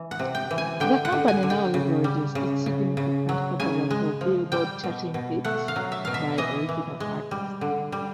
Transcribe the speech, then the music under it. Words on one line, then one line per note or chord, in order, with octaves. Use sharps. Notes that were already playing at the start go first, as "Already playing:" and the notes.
The company now leverages its significant catalog of Billboard-charting hits, by the original artists.
Already playing: E3
F#5
C3
G5
E3
G#5
D3 G5
F#5
D3
G#5
D3
G5
C#3
G3
C#3
C#3
C#3
F#3
C#3 G#5
G#3
F3
G3 G5
B2
B2
A3 F#5
F5
F#3
E5
B2 F5
E5
E3 D#5
E3
G#3
G3
D3
G3